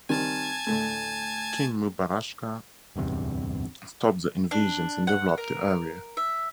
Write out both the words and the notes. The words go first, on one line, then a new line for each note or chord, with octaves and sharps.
King Mubaraksha stopped the invasions and developed the area.
D#3 G3 C4 G#5 A5 G#6
D2 A2 A3
D1 E2 G2 C3
D4
F#5
A#4
E5